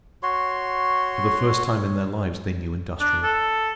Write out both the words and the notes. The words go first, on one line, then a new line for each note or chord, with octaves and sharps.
For the first time in their lives they knew industrial peace.
F#4 C#5 C6
C#5
D4
A4